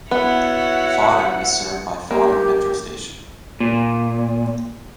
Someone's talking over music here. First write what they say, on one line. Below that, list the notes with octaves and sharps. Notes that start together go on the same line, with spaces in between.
Fawdon is served by Fawdon Metro station.
B3 E4 F#4 C#5 F#5
A#3 G4
A#2